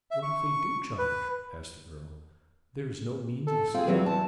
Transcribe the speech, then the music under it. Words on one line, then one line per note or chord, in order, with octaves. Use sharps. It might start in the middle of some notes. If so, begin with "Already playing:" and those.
"What if they do charge?" asked the girl; "there is no means of escape."
E5
C#6
B4
A4
C4 F4 G#4
E2 E3 F#3 C4
A5